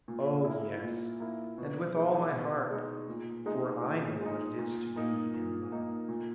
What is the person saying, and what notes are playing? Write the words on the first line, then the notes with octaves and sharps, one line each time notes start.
"Oh, yes, and with all my heart; for I know what it is to be in love."
A#2
A#3 E4
A#2
A#3 E4
B2
G#3 D#4
B2
G#3 D#4
A#2
G#3 D#4
A#2
G#3 D#4
A#2
A#3 D#4
A#2
A#3 D#4
A#2